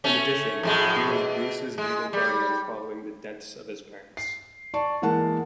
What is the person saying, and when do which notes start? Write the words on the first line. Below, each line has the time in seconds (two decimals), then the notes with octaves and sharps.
In addition, he was Bruce's legal guardian following the deaths of his parents.
0.04 A3 C#4
0.63 F2 A2 G#3
1.10 B2
1.78 G#3
2.13 G3
4.17 C7
4.74 D5 A5 C#6
5.02 E3 G#3 A#3 F#5 A5